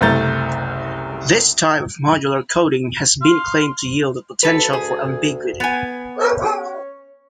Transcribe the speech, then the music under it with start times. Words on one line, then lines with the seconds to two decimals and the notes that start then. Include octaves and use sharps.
This type of modular coding has been claimed to yield a potential for ambiguity.
0.01 F#1 C2 A3 A#5 G6 A6
3.22 F5 C6
4.43 D2 A4 B4
4.73 G#4
5.60 B3 G#5
6.25 C#4